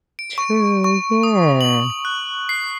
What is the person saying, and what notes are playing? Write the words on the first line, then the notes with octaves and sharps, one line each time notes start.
True, yeah.
D7
C#6
C#6
D#6
F#7
F#6
C7